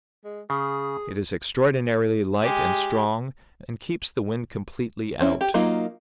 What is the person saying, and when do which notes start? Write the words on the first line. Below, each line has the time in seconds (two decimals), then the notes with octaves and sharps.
It is extraordinarily light and strong, and keeps the wind completely out.
0.24 G#3
0.50 C#3 G#4
2.42 G#3 G4
5.21 C4 C#4 E4
5.41 G4
5.54 F#3 A#3 D#4 F4